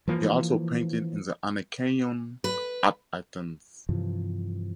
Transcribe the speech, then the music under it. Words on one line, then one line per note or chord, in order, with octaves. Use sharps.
He also painted in the Anakeion at Athens.
E3 F3 A#3
B4
G2 C3 E3 F3